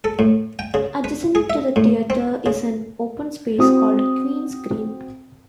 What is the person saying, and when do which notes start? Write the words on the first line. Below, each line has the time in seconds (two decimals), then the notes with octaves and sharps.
Adjacent to the theatre is an open space called Queen's Green.
0.04 A4
0.19 A2
0.59 G5
0.74 C#3
1.04 B4
1.35 G#4
1.50 E5
1.76 A2
2.10 C4
2.46 C#3
3.58 C4 F#4 D#6